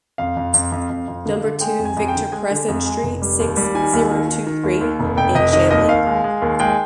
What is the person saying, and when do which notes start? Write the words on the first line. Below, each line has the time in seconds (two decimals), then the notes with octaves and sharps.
Number two, Victor Presson Street, six-zero-two-three in Chambly.
0.18 F2 F5
0.37 F2
0.54 F2
0.72 F2
0.90 F2
1.08 F2
1.26 D3
1.44 D3
1.61 G#3 G5
1.79 F2
1.85 G#5
1.97 F2
2.08 G5
2.15 D3
2.32 G#3 G#5
2.51 D3
2.68 F2
2.86 G#3
3.03 F1
3.22 G3
3.40 D#2
3.57 G3
3.75 D#3 G#5
3.93 D#2
4.11 D#3
4.28 D#3
4.46 D#3
4.64 D#2
4.81 D#2
5.00 F1
5.17 F1 G5
5.35 F1 D#5
5.53 D#3 D#5
5.70 D#2 D#5
5.88 D#2 F5
6.07 G#3
6.24 G#3
6.42 D#2
6.60 G#3 G5